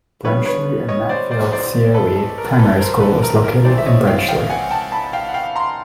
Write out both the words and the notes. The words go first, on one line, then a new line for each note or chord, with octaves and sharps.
Brenchley and Matfield CoE primary school is located in Brenchley.
D3 G3 B3 B4 C#5
B4 C#5
C#5 D#5
C5 D5
C5 D5
C5 D5
A4 B4
A4
A#4
A4 B4
A#4 C5
A4 B4
A#4
A#4
C3 E3 A3 C4 C5 D5
E5
C#5 D#5
F5 G5
F5 G5
F#5 G#5
G5 A5
A5 B5
F5 G5
F#5
F5 G5
A#5 C6